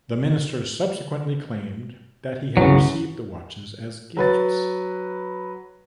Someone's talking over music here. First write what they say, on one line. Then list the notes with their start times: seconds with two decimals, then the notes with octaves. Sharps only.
The minister subsequently claimed that he had received the watches as gifts.
2.57 G1 C2 C#3 E3 F#3
4.17 F#3 B4 A6